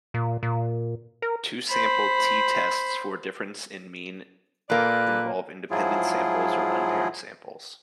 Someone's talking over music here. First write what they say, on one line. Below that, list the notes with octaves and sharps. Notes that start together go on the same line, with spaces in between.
Two-sample "t"-tests for a difference in mean involve independent samples or unpaired samples.
A#2
A#2
A#4
C5 B5
A#2 A#3 A4 B4 D5
G#2 F3 F#3 E4 F4 G#4